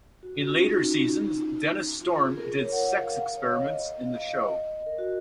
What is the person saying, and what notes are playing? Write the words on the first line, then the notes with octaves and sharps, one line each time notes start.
In later seasons, Dennis Storm did sex experiments in the show.
F#4
F4
C#4
D#4
F4
G#4
A#4
C#5
F#5
F5
C#5
D#5
F5
D#5
A#4
F#4